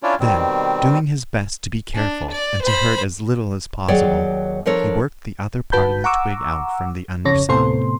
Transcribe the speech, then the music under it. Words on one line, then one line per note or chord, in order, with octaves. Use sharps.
Then, doing his best to be careful and to hurt as little as possible, he worked the other part of the twig out from the under side.
C#4 D4 E4 F4 C#5 D5
B2 D#3 G3 C4
D4
D5
C5 B5
D#2 F#3 G#4 C#5 D5 G5
F3 D4 A4 A#4 C#5
G1 F#4 B4 A5 B5 G6
F#5 A#5 C#6 D6 E6
G1 F2 C#3 C#5 A#6
A2 C3 B3 A4 C5 C6